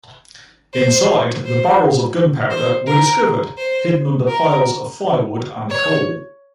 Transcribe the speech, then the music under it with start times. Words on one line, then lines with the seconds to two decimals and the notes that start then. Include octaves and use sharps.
Inside, the barrels of gunpowder were discovered hidden under piles of firewood and coal.
0.73 C5
1.45 C5
2.50 C5
2.86 A#4
3.57 C5
4.27 A#4
5.70 C#5